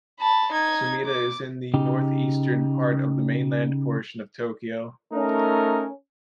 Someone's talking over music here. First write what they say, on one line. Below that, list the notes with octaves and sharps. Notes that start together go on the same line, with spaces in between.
Sumida is in the northeastern part of the mainland portion of Tokyo.
A5 B5
D#4 G#6
D6
C#3 D#4 G4
A3 C#4 D#4 A#4